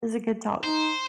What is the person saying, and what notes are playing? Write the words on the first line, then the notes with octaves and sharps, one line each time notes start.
It was a good talk.
D#4 C5